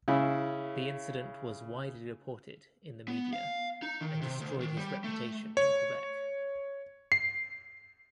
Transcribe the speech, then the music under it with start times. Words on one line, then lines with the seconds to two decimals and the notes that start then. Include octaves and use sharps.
The incident was widely reported in the media and destroyed his reputation in Quebec.
0.08 C#3 E4 B5
3.08 B3
3.33 F5
3.82 D#4
4.01 D#3
4.21 C3
4.40 D2
4.61 D#3
4.77 G3
5.04 A3
5.57 C#5
7.12 C7